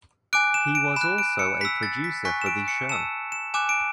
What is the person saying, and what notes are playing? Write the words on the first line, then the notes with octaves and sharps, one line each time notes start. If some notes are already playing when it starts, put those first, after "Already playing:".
He was also a producer for the show.
G#5 D6 F#6 D7
E7
D7
B5 F#6 E7
D7
C#7
B5 E6 B6
A6
B6
G#5 C#6 F#6 B6
E7
D7
C#7
A5 E6 E7
E7
G#5 D6 F#6 E7
D7